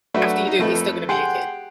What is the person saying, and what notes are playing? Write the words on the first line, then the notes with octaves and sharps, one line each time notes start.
After you do, he's still gonna be your kid.
F#3 A3 D4 F#4 B4 E5
D#4
F2 F3 A3 A4 B4
G4 G#4 F#5 G5 C6